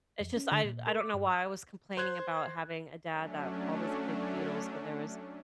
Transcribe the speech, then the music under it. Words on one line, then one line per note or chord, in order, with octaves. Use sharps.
It's, just, I I don't know why I was complaining about having a dad that always played the Beatles when there was
F2
C#4
D3
A#2
A#4
D6
G2
E6
C5 C6 F#6 G#6
F#3 A3 C#4 D4